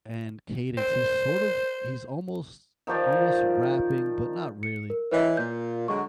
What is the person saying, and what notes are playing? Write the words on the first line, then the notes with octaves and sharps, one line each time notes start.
and cadence, he's sort of he's almost almost rapping, but not really.
C5
D#3 F3 G4 D5
C#7
A#4
E3 B4 C#5 D#5
A#2 G6
D3 F#3 G#3 C#6